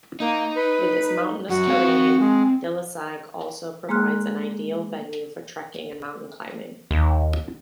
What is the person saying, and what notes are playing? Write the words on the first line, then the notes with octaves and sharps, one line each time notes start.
With its mountainous terrain, Dilasag also provides an ideal venue for trekking and mountain-climbing.
A#3 D#4
B4
F#2 F#4
C4 F5
G#3
G#3 A#3 G#4 C6 F6 F#6
D#2